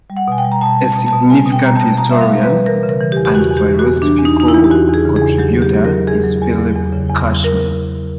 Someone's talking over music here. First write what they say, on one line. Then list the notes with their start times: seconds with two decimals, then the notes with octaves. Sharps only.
A significant historian and philosophical contributor is Philip Cushman.
0.10 G3
0.17 F#5
0.28 B2 G#5
0.38 G5
0.44 G3
0.52 A#5
0.61 B2 A5
0.78 G3
0.85 A5
0.95 B2
1.06 A5
1.13 B2
1.30 G3 G#5
1.46 B2
1.52 G5
1.64 G3 A#5
1.75 B2 A5
1.97 B2 A#5
2.11 G3 E5
2.21 F5
2.32 G3
2.43 B4
2.50 G3
2.66 E3 A#4
2.83 C#3
2.89 A#4
3.01 E3
3.12 G4
3.17 E2
3.25 G4
3.35 E2 F#4
3.51 E2
3.57 G4
3.68 E3
3.79 F#4
3.85 E2
4.02 E3 D4
4.19 E2
4.25 D#4
4.37 E2 D#4
4.48 E4
4.54 E3
4.64 G4
4.71 E2 F#4
4.88 E2
4.94 G#4
5.05 C#3
5.16 G#4
5.22 E2
5.38 F#3 G4
5.57 F#3
5.62 G4
5.74 F#3
5.85 A#4
5.90 F#3
6.08 E2 G#4
6.24 F#3
6.41 E2
6.58 F#3
6.76 E2
6.92 C#3
7.10 E2
7.26 F#3
7.44 A#4